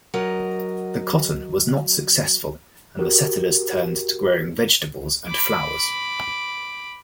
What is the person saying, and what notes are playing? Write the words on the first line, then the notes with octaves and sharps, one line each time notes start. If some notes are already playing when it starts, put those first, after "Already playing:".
The cotton was not successful and the settlers turned to growing vegetables and flowers.
F#3 A#4 D#5
F#4 G4 A#4
B5 D6